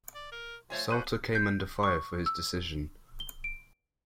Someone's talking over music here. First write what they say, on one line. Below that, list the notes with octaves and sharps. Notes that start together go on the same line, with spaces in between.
Salter came under fire for his decision.
D5
A#4
F3 A3 C#5 G#5
A#2 C5 C#6 F#6 D#7
G6
C#6
E6
G7
D7